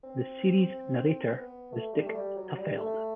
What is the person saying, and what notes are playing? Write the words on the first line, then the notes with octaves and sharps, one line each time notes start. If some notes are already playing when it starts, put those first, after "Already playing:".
The series' narrator was Dick Tufeld.
C4
B3
A3
G3
A3
G3
F#3
G3
A3